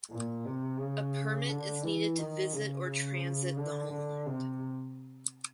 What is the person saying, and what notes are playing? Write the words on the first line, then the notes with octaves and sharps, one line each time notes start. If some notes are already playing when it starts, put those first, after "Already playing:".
A permit is needed to visit or transit the homeland.
A#2
C3
C#3
D3
E3
D#3
C#3
C#3
D3
D3
C3